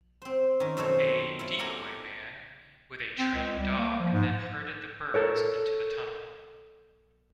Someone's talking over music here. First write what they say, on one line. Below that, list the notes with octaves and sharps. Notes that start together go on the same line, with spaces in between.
A "decoyman" with a trained dog then herded the birds into the tunnel.
C4 C5
D#3 C#4
F#2 B2 C4 A4 C5 C#5
E4 F4 B5
G4 A4 A#4 D5 G#5
C4
C#2
G3
A#3
F3
G#2
A4 A#4 C#5